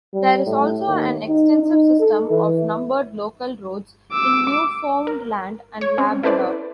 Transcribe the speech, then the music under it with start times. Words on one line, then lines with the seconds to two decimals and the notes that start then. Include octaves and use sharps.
There is also an extensive system of numbered local roads in Newfoundland and Labrador.
0.14 G3
0.46 A2
0.87 D#2
1.28 D#4
1.63 D#4
2.00 A4
2.30 E3
4.12 D6 E6
5.07 A#4
5.81 C#5
5.98 C4 C#4
6.23 E4 A4 B4 C5 D5